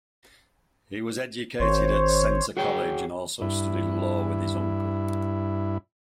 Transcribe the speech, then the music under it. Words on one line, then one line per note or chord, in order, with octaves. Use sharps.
He was educated at Centre College and also studied law with his uncle.
G#1 C5 C#5
F#4 G#4 C#5 G5
G2 E4